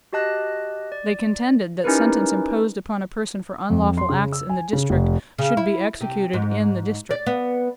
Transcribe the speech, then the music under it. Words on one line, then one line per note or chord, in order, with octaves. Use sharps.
They contended that sentence imposed upon a person for unlawful acts in the District should be executed in the District.
F#4 G4 D#5 A5 F#6 A#6
D5
C#4 D#4 E4 G4 A#4 B4
F2
C6
C#3
E6
G#5
C#3
F1
C#3
E4
C3
G#2
D5
B3